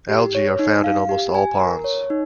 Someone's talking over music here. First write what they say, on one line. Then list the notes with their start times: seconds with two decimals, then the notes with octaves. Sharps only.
Algae are found in almost all ponds.
0.09 G4
0.35 C#5
0.59 D#4
0.84 F5
1.09 G4
1.35 G#5
1.60 A#4
1.84 C#5
2.10 D#4